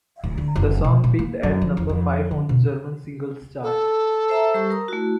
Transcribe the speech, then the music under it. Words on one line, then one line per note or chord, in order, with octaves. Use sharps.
The song peaked at number five on the German Singles Chart.
D1
D3
F#1
B2
A#2
A#3
F#2
F3
E2
F2
D3
B2
A4
C5 E5 A#5
G3 G4 C#6
A#4 A#5 D#6
A3 E4 F#4